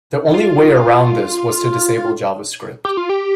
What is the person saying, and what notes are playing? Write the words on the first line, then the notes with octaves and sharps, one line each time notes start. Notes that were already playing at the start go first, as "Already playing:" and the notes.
The only way around this was to disable JavaScript.
F4
G4
F4
G4